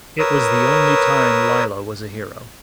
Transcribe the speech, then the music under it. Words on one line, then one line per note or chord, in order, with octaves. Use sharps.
It was the only time Lilah was a hero.
A#4 B4 C#5 D#6 E6